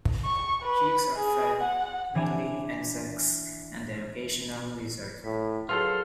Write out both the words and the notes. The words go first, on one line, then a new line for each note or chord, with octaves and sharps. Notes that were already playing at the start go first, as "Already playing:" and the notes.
Chicks are fed mainly insects and the occasional lizard.
C#6
B4
G#4
F#5
E3 D4 G#5
A2 B6
F#3 F4 F#4 G#4 A4 B4 C5 F6